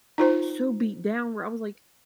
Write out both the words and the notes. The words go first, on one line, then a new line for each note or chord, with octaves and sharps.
so beat down where I was like,
D#4 F4 C5